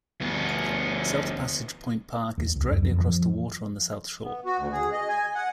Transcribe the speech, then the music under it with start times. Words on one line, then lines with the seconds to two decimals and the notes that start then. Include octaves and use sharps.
South Passage Point Park is directly across the water on the south shore.
0.21 D2 B3
2.38 D#2
2.55 C#2
2.69 F#2
2.83 F2
3.01 F3
4.24 B3
4.45 F#4
4.58 D2
4.72 G#4
4.92 D#5
5.09 G#5
5.35 F#5